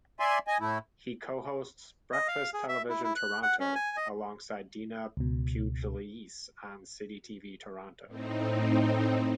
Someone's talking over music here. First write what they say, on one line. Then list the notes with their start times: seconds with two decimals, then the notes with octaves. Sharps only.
He co-hosts "Breakfast Television Toronto" alongside Dina Pugliese on Citytv Toronto.
0.20 D5 E5 G#5 C6
0.47 D#5 G#5
0.61 A2 A3 E4
2.13 D#5
2.28 F5
2.54 G#4
2.68 E5
2.89 E4
3.04 E4
3.16 F#6
3.43 F#5
3.60 C#4
3.75 G#5
3.97 D#5
5.17 C#2 B2
8.07 A2 C4 D#4